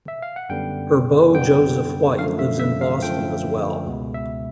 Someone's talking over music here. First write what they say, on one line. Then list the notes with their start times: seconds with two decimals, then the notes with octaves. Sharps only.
Her beau Joseph White lives in Boston as well.
0.08 E5
0.22 F5
0.36 F#5
0.49 F#2 D3 G3 B3 G5
1.34 F#2 D3 G3 B3 G5
2.18 F#2 D3 F3 A3 F5
2.39 E5
2.59 E5
2.81 F5
3.02 F#2 D3 F3 A3 G5
3.86 C#2 B2 G#3 B3
4.14 E5